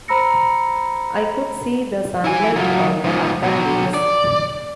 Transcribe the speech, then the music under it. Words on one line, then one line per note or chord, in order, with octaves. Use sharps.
I could see the sunlight on the upper leaves.
C5 A#5 B5 E6 A#6 C#7
E4 G#5
F#3 F4
G#2 F3
B2 F#3
D5